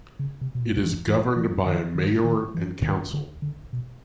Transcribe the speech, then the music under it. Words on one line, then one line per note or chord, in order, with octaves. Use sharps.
It is governed by a mayor and council.
C#3
C3
B2
A#2
E3
E3
E3
D#3
D#3
D#3
E3
D#3
D3
D3
B2